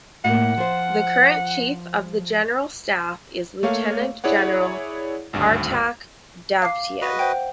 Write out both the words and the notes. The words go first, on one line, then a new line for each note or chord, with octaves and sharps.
The current Chief of the General Staff is Lieutenant General Artak Davtyan.
A2 A#3 F#5
F3 C5
A3 A#3 C#5 F5
E4 G#4 C#5 D5 F#5
G#1 D2 G2
F5 D6 C7
F#4 B4 D#5
C5 F#5 G5